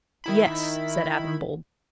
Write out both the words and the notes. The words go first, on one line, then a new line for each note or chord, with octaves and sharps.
"Yes," said Adam boldly.
D#3 E4 B5